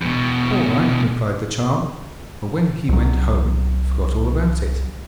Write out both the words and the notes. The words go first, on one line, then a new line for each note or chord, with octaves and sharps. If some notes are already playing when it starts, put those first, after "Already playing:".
'All right,' replied the child, but when he went home forgot all about it.
E2 B2
C2 F#3